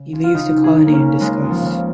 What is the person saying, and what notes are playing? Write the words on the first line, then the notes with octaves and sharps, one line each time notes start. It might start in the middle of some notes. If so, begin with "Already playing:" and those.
He leaves the colony in disgust.
Already playing: C#3
C#2
F4
C#3 D#4
C#2
G#4
C#3
A#3
C#4
C#3
C#3 G#3
C#2
F3
C#3